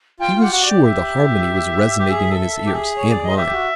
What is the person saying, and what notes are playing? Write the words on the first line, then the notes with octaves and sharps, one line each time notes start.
He was sure the harmony was resonating in his ears and mine.
F4 G5
F4
G4 F#5
F#4
D5
G4
E5
G4
G#4
A4
A4
G4
G#4
C#5
D5
D#5
G4 E5
G4
F#4